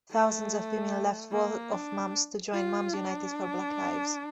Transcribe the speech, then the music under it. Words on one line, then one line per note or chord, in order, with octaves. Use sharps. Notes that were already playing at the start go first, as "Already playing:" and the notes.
Thousands of women left Wall of Moms to join Moms United for Black Lives.
A3
A#3
D4
F4
D4